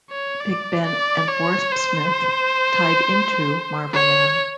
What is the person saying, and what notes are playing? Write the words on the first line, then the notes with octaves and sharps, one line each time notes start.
"Big Ben" and "Warpsmith" tied into "Marvelman".
C#5
D5
D5
C#5
C5
C#5